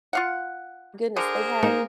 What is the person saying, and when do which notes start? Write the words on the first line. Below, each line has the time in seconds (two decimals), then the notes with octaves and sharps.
goodness, they had
0.13 F4 F5 F#5
1.17 D3 G#4 A#4 C5
1.63 A#3 D#4